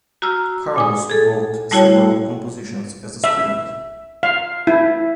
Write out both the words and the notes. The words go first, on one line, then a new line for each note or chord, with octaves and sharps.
Carlos wrote several compositions as a student.
F#4 A#5 E6 F6
A#2 G#5 D#6
G#4 A4
G3 A3 E4 F#4 C#5 G5
E5
F5
E4